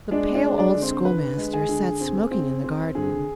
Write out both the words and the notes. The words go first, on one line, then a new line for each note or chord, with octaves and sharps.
The pale old schoolmaster sat smoking in the garden.
G#3 D4 D5
D4 D5
G#3
D4 D5
D3
C4 C5
D3 B4
G#3
G#4 G#5
D3
C4
C4
C4
D3 G#4 G#5